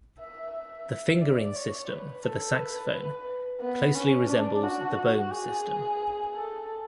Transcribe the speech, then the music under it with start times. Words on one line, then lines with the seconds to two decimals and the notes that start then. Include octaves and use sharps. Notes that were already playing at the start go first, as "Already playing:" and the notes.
The fingering system for the saxophone closely resembles the Boehm system.
0.19 E5
0.52 E5
1.21 D5
1.56 C#5
1.89 B4
2.24 A4
2.59 B4
2.93 B4
3.60 B3
3.95 C#4
4.30 D4
4.63 F#4
4.98 F#4
5.32 G#4
6.34 A4